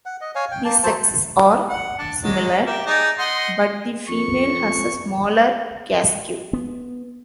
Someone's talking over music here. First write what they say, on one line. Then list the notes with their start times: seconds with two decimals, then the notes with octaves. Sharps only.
The sexes are similar, but the female has a smaller casque.
0.06 F#5
0.21 D#5
0.35 C#5 F5 G#5
0.51 G5
0.65 A#3 A5
0.83 F#3 C5 A5
1.69 F#5
1.98 D4
2.23 F#3 G#3
2.66 G4 A#4 E5
2.86 D#4 G#4 D5
3.19 D#5 F#5 C6
4.09 F2 C#6
6.53 B3